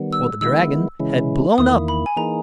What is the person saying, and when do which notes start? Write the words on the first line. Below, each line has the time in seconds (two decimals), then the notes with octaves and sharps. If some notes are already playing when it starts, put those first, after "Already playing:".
For the dragon had blown up.
Already playing: D#3 G3 B3
0.13 E6
0.41 D#3 G#3 B3 E4 E6
1.00 C#3 E3 G#3 C#4 E4
1.58 E2 D#3 A#3 E4 D#6
1.88 B5
2.06 G#5
2.16 E3 A#3 D#4 G#4 A#5